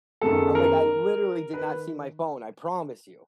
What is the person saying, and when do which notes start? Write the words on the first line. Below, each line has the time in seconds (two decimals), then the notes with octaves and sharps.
I'm like, "I literally did not see my phone, I promise you."
0.21 F#2 D#3 G#3 B3 A4
0.55 A#4
1.54 D#3 B4